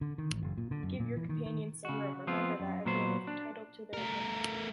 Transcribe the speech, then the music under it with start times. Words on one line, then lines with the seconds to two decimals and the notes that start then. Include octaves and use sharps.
Give your companions some room, remember that everyone is entitled to their opinion.
0.01 D3
0.18 D#3
0.30 A1
0.43 F#1
0.57 A#2
0.71 D3
0.83 F#2
1.00 A#2
1.16 E3
1.29 D#3
1.46 D#3
1.85 C#3 F#4
2.27 F3 B3 C4 F4
2.60 F#2
2.85 A#2 F#3 B3 C5
3.27 D4
3.93 A3 A#4